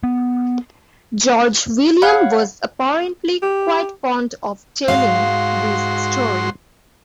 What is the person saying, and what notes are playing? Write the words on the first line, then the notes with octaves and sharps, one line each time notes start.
George William was apparently quite fond of telling this story.
B3
C#5 F5 F#5 B5
G4
G#2 F#4 F5 C6